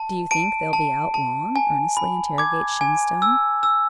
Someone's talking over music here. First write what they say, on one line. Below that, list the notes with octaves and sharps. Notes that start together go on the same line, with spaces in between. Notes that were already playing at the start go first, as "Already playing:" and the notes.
"Do you think they'll be out long?" earnestly interrogates Shenstone.
Already playing: A5
A5 D7
A5
A5
G#5
B5
D6 G#6
G#5
E6
E6